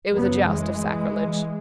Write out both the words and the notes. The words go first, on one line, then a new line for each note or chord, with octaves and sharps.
It was a joust of sacrilege.
F#1 F#2 C#3 F#3 B3
E3 G#3